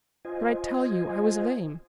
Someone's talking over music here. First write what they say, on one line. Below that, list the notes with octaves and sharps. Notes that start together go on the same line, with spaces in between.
"But I tell you I was lame."
F4 C5 D#5 G#5